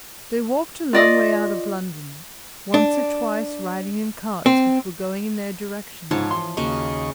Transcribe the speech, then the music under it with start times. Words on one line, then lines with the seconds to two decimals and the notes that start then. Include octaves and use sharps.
They walked a long way out of London, once or twice riding in carts which were going in their direction.
0.93 F4 D5 D#5
2.74 D4
4.46 C4
6.11 G#2 C#3 F3 C#5 A5
6.31 E3 C6
6.57 D#2 C#3 A#3 F#4 D#5 C#6